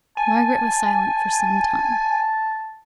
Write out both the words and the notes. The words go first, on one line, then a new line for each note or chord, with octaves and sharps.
Margaret was silent for some time.
G#5 A5